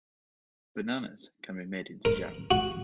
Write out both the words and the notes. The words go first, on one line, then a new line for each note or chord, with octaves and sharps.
Bananas can be made into jam.
A#4
F#4